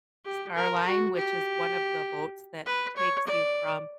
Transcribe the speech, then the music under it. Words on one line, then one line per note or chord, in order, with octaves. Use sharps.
Star Line, which is one of the boats that takes you from
G4
A#4
F#4
G4
B4
C#5
D5